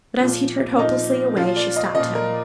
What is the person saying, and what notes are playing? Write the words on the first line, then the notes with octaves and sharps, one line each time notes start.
But as he turned hopelessly away, she stopped him.
A#2 F3
A#2 F3 D#4
A#2 F3 F4
D5
D#5
A#2 F3 D#5
A#4